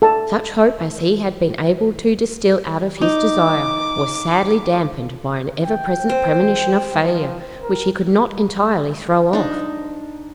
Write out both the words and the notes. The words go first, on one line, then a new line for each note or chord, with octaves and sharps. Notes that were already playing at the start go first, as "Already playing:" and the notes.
Such hope as he had been able to distil out of his desire was sadly dampened by an ever-present premonition of failure, which he could not entirely throw off.
A4 A5
D#4 D6
G5
C4
F3
A#4
D4 D#4